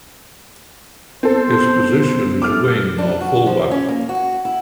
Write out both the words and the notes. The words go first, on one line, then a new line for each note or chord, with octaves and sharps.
His position is Wing or Fullback.
B3 C4 A4 C5
A3 A4 D6 F6
D4
F#4
F3
C#4
A#3
F#4
E4